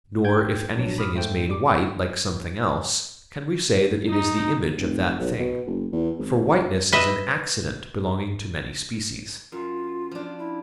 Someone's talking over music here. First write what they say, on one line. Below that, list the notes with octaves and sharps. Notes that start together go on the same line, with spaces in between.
Nor, if anything is made white like something else, can we say that it is the image of that thing; for whiteness is an accident belonging to many species.
G5 G6 G#6
A#1 F#3 D4
B5 D6 D#6 F6
G#2 A3 C5 G5
G3 D6
D#4
F1
B1
B2
F#1
E2
G#1
E1
B4 D#5 E5
F#2 F4
F3 D4
E4